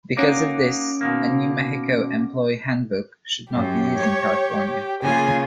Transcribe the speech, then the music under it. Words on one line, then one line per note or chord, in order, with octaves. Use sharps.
Because of this, a New Mexico employee handbook should not be used in California.
A#3 C#4 D#4 F#4 D6
B2 D#3 A#3
F#2 G4
C#5
C#3 A#3 F4 G#5